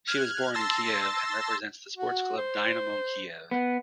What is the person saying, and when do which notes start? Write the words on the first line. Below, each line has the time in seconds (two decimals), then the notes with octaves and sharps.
She was born in Kiev, and represents the sports club Dynamo Kiev.
0.08 F6 F#6 G#6
0.54 A5 C6 E6 A6 A#6
1.97 F#4
2.38 C5
3.51 B3